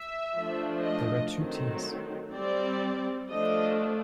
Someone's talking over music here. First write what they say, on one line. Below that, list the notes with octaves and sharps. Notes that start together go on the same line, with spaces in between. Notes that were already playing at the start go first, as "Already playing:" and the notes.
There were two teams.
Already playing: E5
F3 A3 D4
D#5
D#3 F#3 A3 C4
G3 C4 D5
F3 A3 D4 D#5